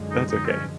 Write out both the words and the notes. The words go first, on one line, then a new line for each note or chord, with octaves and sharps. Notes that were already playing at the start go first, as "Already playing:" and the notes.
That's okay.
Already playing: F#2 D3 F3 G#3
D#4
D#4
C4
C#4